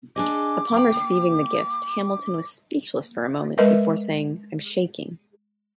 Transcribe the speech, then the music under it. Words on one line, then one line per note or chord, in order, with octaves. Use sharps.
Upon receiving the gift, Hamilton was speechless for a moment, before saying I'm shaking.
D4 G#4 D#5 D6
A#3 F5 G5
G#3 A#4 B4 D#5 E5